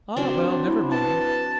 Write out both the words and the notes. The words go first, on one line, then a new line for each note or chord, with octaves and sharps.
Ah, well, never mind.
F#3 C4 D4
E4
B4 A5